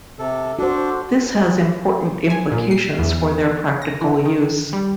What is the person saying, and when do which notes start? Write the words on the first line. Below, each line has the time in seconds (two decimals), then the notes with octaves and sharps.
This has important implications for their practical use.
0.19 C3 A4
0.59 D4 F#4 A4 C5
2.30 G#5
2.52 A#2
2.71 C7
2.99 E2
3.82 A#6
4.01 E3
4.25 D#3
4.73 G3